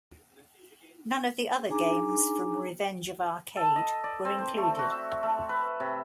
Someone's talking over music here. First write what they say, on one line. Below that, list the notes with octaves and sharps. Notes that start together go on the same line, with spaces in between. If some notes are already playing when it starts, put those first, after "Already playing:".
None of the other games from "Revenge of Arcade" were included.
D4 D#4 G#4 G#5 A#5 D6
A4
D#5
D5
C4
C5
A3
F#4
E5
A3
B4
C3